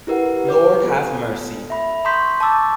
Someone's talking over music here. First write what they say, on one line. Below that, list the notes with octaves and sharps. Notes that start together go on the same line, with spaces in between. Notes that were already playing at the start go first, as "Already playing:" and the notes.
Lord Have Mercy!
E4 G4 A#4 B4 F#5
G4 B4 C#5 D6
B3 F4 A4
E5 B5
A#5 C6 C#6 D#6 G6 B6
A5 C#6 D6 E6 A6